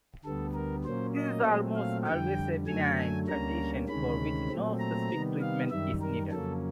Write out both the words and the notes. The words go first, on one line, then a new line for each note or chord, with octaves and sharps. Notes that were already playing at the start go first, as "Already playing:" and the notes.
This is almost always a benign condition for which no specific treatment is needed.
D2 D3 G3 B3 A4
A#4
A#2 F#3 A#3 C#4 C5
D#5
A#2 F#3 A3 C4
F5
F2 D3 G3 G5
F#2 D3 F#3 A3 G#5
G#5
D2 D3 G3 A#3 C#4 A#5
D2 C3 D#3 G#3 C#4 B5
A#2 F#3 A3 C4
A#5
C3 D#3 G3 B3
F5
F#2 D#3 G3 E5
A#4
F2 C#3 F#3 A#3 C#4 A4